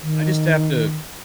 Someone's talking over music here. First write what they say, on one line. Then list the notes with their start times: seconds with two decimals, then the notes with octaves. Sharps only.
I just have to
0.01 D#3